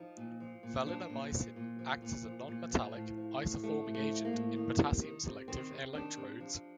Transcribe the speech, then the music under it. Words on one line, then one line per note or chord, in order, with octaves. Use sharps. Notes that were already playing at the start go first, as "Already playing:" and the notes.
Valinomycin acts as a nonmetallic isoforming agent in potassium selective electrodes.
Already playing: F3 D#4
A#2
F3
A#2
F3 D4
A#2
F3
A#2
F3
A#2
F3
A#2
F3
A2
F3
A2
F3 A3
A2
A3
F3
A#3
A2
D#3
C3
D#3
C3
D#3 C4
C3
D#3 D4
C3
F3